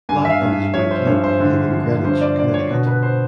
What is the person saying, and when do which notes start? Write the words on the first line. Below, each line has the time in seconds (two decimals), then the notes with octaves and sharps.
Black and his wife Lyn live in Greenwich, Connecticut.
0.09 G2 G#5
0.25 E5
0.30 F5
0.42 G2
0.74 F3 C#5
0.91 C5
1.06 G2 C#5
1.24 C5
1.40 D3
1.72 F3
2.04 G2 C5
2.21 D5
2.37 D3 D5
2.54 C#5
2.70 B2
2.87 B4
3.03 C5